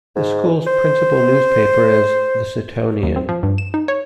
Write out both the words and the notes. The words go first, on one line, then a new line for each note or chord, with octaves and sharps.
The school's principal newspaper is "The Setonian".
G#2
C5
D#2
C4
F3
G2
E7
D#4
C#5